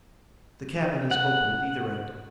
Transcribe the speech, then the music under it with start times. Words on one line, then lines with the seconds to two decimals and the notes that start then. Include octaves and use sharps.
The cabin is open at either end.
1.11 F#5